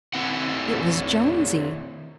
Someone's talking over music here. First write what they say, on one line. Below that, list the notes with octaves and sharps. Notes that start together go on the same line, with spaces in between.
It was Jonesy.
D#3 C4 E4 F#5